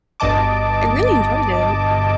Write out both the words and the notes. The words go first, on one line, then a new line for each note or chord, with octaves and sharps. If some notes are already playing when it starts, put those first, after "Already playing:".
I really enjoyed it.
G1 G2 B2 D#5 A5 D6